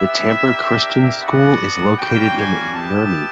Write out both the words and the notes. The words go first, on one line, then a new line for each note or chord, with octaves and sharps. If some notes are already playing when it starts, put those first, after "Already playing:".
The Tampere Christian School is located in Nurmi.
Already playing: B3 E4 G4 E5
A#3 D4 G4
B3 D4 F#4 F#5
G3 A#3 C#4 F#4 G5
G#5
B3 E4 G4 A5